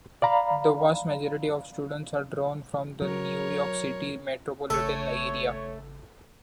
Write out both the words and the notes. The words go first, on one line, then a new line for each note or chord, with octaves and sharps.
The vast majority of students are drawn from the New York City metropolitan area.
D5 F5 A#5 B5
F#3 A#4 C#5
G#1 C#3 A3 A4 C#5 C#7